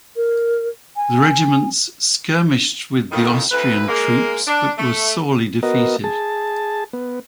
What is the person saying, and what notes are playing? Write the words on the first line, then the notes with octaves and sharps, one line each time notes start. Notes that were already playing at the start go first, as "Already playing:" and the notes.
The regiments skirmished with the Austrian troops but were sorely defeated.
A#4
G#5
F2 A2 D#3
D2 B4
G#3 A#3
D4
A3
B3 F#4 A#4 D#5
G#4 A5
B3